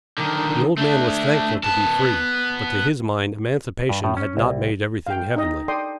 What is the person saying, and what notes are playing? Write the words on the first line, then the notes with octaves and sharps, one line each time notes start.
The old man was thankful to be free; but to his mind emancipation had not made everything heavenly.
D3 D#3
A3 D4
B3 A5
G2
A2
C#4
C2
F5 G5
D#4 D#5
A4 D5 G5 C6 D#6